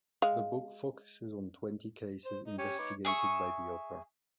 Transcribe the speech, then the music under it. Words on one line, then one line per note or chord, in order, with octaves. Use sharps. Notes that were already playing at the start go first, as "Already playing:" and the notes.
The book focuses on twenty cases investigated by the author.
G#3 F5
C5
D#4
C#4 G4 C#5
D#4 B4 D6
G#4 E5 C#6